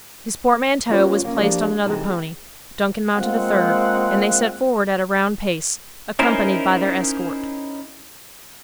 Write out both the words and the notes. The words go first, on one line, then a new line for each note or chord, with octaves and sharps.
His portmanteau was placed on another pony, Duncan mounted a third, and they set forward at a round pace, accompanied by their escort.
G3 A#3 C#4 F4 B4 C#5
A#3 C#4
F3 A#3 D4 E4 G4 D5
C3 E3 G#3 D#4 A4
C4
G#3 A#3 C4 F4 F5 F#5
C#4 D#4 E4 A#4 C5